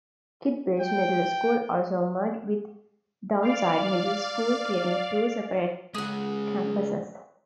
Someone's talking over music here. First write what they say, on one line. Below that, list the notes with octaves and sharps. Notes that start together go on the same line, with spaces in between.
Kitbridge Middle School also merged with Downside Middle school, creating two separate campuses.
G5
D5 F5
C#3 G#3 G#4 F#5